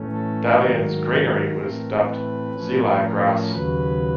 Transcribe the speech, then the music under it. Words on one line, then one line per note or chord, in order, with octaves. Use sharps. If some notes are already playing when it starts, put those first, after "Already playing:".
Dalian's greenery was dubbed "Xilai Grass".
Already playing: A2 E3 A3 C#4
A4
G#2 D#3 F#3 A#3 A#4
A2 E3 A3 C4
B4
A2 F3 A3 C#4
A#4
D#2 C#3 F#3 B4